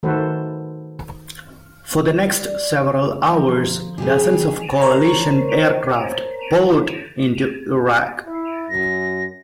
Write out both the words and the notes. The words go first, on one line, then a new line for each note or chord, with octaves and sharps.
For the next several hours dozens of Coalition aircraft poured into Iraq.
D#3 A3 F#4 A4 B4 C5
D5
D3 F3 A#5
C#3 G4 G#4
A#4 C5 C#5 A5 A#5
E4
F#2 A#6